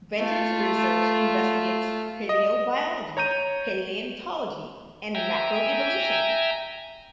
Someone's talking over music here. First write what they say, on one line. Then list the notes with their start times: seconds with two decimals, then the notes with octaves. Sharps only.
Benton's research investigates palaeobiology, palaeontology, and macroevolution.
0.18 A3 F4
2.29 D#5
3.17 C#5 A#5 G6 D#7
5.15 E5 G5 G#5 A#5